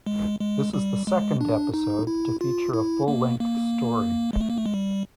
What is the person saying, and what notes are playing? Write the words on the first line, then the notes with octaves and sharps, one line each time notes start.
This is the second episode to feature a full length story.
G#3
G#3
G3
G#3
D4
D#4
E4
F4
E4
A#3
A#3
G#3
A3
A#3
A3
G#3
G3